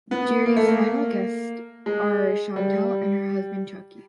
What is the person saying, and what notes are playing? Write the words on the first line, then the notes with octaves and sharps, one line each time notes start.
Jerry's final guests are Shawntel and her husband, Chucky.
B3
A#3
A3
A#3
G#3
G3